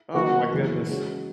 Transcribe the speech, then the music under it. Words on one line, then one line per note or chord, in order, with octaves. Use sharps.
Oh my goodness.
D#3 F#3 A#3 D#4 F#4
F#2 C#3 E3 A#3
G#3 C#4 F#4